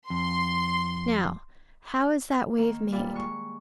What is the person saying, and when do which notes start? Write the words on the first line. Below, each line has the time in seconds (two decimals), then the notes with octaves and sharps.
Now, how is that wave made?
0.10 F2 C6
2.58 D#3 A#3
2.92 A#2 G3
3.15 G#3 C#6